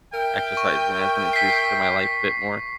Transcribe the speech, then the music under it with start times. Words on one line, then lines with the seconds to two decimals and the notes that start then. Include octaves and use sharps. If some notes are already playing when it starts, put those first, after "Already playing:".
Exercising has been introduced to my life a bit more
0.13 A#4 E5 G5
0.57 C#6
1.33 B6 C7